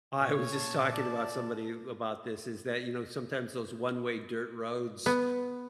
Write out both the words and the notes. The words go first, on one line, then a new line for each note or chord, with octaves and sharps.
I was just talking about somebody about this is that, you know, sometimes those one-way dirt roads,
A#2 C#5
A5
D5
B3